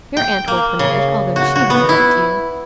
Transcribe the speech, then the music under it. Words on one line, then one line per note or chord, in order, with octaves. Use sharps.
Your aunt will permit it, although she has a right to you.
G5
A#3
C#3
F#4
F#4
B3
E4